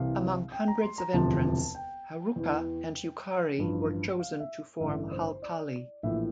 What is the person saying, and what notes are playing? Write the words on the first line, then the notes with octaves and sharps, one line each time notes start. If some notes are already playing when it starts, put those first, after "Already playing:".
Among hundreds of entrants, Haruka and Yukari were chosen to form Halcali.
Already playing: C2 C3 E3 F5
G5
A#5
C6
A#5
E1 D2 C3 F3 A5
G5
E2 E3
A1 G2 F3
F5
E5
A1 G2 D3 E5
C5
D5
A#1 A2 E3 E5